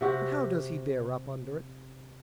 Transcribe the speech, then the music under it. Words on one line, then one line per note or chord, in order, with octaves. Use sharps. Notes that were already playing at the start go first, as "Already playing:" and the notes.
"And how does he bear up under it?"
C3 F#4 G4